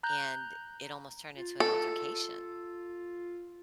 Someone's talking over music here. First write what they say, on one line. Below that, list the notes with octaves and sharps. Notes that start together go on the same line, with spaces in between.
and it almost turned into an altercation
A#5 F#6 G6
F4
A4